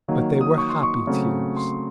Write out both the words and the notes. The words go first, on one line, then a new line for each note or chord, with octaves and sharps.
But they were happy tears.
D#3 F#3 A#3
D#6
C#6
C6
C#6
C#3 F#3 A3 C4
C6